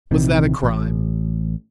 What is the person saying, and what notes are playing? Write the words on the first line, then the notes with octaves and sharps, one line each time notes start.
Was that a crime?
A#1 C3 D#3 E3
A1